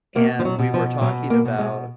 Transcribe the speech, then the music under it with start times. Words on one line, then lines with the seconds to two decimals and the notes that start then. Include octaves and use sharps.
and we were talking about
0.15 B2 A#3
0.39 F3
0.45 F#3
0.59 B2
0.74 F3
1.01 B2 F#3
1.30 A#3
1.45 B2
1.59 G#3